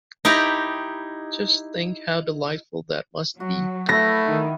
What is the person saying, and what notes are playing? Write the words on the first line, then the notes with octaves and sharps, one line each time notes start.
Just think how delightful that must be!
D#4 E4 G4 G5 A#5 B5
F#3 F#4
A3 E4 B4 A#6
D#3